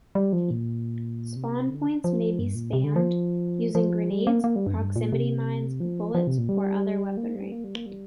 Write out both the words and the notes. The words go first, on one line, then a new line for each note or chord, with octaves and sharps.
Spawn points may be spammed using grenades, proximity mines, bullets, or other weaponry.
G3
F3
A#2
C3
D3
F3
G2
A#2
C3
D3
F3
F3
G3
A#3
A#3
G3
G2
F2
G2
A#2
C3
F3
F3
C3
A#2
G3
A#3
G3
A#3
G3
A#3
G3